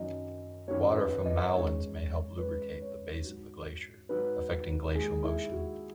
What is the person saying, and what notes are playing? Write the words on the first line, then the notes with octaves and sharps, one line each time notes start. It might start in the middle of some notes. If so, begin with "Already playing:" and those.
Water from moulins may help lubricate the base of the glacier, affecting glacial motion.
Already playing: F#2 D#3 F#3 D#5
F#2 D#3 F#3 C#5
B4
D#5
F#2 D#3 G#3 C#5
F#2 D#3 G#3 B4
C#5
G#2 F#3
G#2 F#3 B4
D#2 D#3 G#3 G#4
E4
F#4